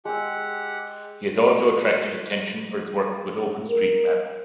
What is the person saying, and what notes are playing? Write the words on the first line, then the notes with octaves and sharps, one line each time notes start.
He has also attracted attention for his work with OpenStreetMap.
G#3 G4 F#5 E6
A#4